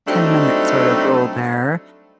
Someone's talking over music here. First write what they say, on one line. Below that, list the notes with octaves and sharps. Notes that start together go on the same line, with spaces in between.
ten-minute, sort of, rule there,
F#3 G3 A3 C4 D4 D#4